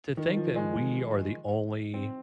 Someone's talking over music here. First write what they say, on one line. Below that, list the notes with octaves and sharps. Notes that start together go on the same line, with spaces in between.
to think that we are the only
D#3
F3
G#3
C4